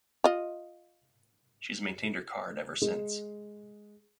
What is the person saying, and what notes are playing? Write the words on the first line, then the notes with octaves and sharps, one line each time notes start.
She has maintained her card ever since.
F4 D#5
G#3